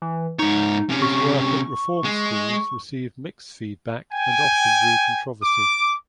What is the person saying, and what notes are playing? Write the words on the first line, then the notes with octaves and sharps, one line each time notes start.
His work at reform schools received mixed feedback and often drew controversy.
E3
G#2 D#4 C#5
C3 C#4
C#6
G#3
G5 G#5
D6